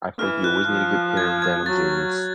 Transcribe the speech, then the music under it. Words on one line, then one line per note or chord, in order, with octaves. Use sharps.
I feel like you always need a good pair of denim jeans
E3 F6
F#6
F3
G#6
G#6
F#3 A6